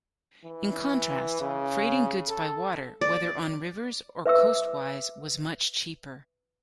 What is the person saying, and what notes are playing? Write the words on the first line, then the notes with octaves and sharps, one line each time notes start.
In contrast, freighting goods by water, whether on rivers or coastwise was much cheaper.
E3
C#3
A4
D5
B4 E5 D6 E6